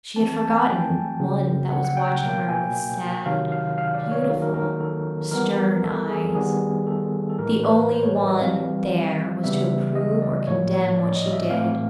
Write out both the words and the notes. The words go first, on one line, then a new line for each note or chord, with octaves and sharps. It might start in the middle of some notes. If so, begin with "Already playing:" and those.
She had forgotten one that was watching her with sad, beautiful, stern eyes--the only one there was to approve or condemn what she did.
E3 A3 C4 A5
A5
G#5
G5
C#3 F#3 A#3
F#5
F#5
G5
B2 F#3 A#3 G5
G#5
C3 D#3 F#3 F5
F5
F5
D5
C#5
D#3 F#3 A#3
A#4
A#4
A4
E3 G3 B3 A#4
A4
G#4
D#3 G3 B3 G#4
A4
A4
A2 E3 G#3 A#4
B4
C5
C#5
D5
D#5
E3 G3 C4 F5
C#3 E3 G3 B3 E5
D#5
D5
A2 F3 A#3 C#5
C#5
D5
D#5
E5
A2 E3 A3 C4 F5